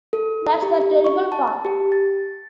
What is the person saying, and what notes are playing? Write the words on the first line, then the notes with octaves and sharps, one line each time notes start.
That's the terrible part.
A4
G4
C#6
A5
G4
A6